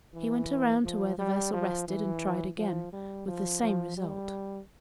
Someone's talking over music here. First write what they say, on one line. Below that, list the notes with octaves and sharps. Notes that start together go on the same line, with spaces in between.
He went around to where the vessel rested and tried again, with the same result.
E3
F3
G3
F3
E3
F3
G3
F3
F3
G3